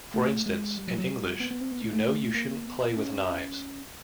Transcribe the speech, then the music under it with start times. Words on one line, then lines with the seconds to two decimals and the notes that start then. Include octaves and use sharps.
For instance, in English, You know you shouldn't play with knives!
0.14 A3
0.46 G#3
0.77 G3
0.88 F#3
0.98 F#3
1.09 G3
1.40 B3
1.51 B3
1.61 C4
1.72 B3
1.82 A3
1.93 A3
2.35 A#3
2.66 B3
2.97 C#4